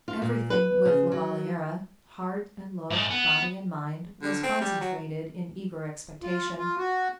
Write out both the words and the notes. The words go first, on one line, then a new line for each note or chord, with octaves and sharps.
Everything with La Valliere, heart and look, body and mind, was concentrated in eager expectation.
F4
A#2
B4
C#3
F#3
G#2 A3
B3
D3
C4
G3
F#3
F4
F4
F#4